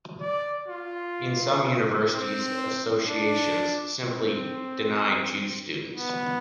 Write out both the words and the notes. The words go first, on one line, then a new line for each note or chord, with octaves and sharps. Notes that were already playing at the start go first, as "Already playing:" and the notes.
In some universities, Associations simply deny Jew students.
D5
F4
C4
D4
C4
B3